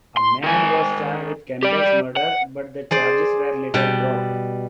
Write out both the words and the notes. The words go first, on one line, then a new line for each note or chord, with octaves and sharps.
A man was charged with Campbell's murder but the charges were later dropped.
C6
D#3 G#5
G4 D5
F#5
G#4 C5 D5
B2 G3 G5